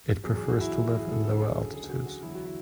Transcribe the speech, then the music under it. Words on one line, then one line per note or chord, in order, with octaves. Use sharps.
It prefers to live in lower altitudes.
E2 B2 F#3 G#4
G#4
F#4
E4
E4
F#4
G#4
A4
D2 C#3 F#3 A4
G#4
A4
G#4
F#4
F#4
E2 D3 F#3 E4
F#4
E4